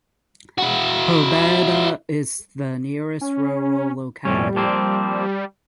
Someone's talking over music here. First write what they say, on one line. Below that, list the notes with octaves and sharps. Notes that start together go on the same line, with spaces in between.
Pobeda is the nearest rural locality.
E4 F#4
C#4
F2 A2 G3 C#4
F3 A#3 C4